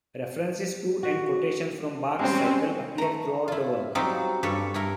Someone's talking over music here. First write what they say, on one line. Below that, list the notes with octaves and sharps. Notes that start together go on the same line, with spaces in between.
References to and quotations from Bach's cycle appear throughout the work.
F#4
G3 G#3 C4 C#4 C5
A3 A#5
E4 F4
F#3 G3 C4 D#4 F4
G2 G3 A4 B4 C#5
G2 E4 A#4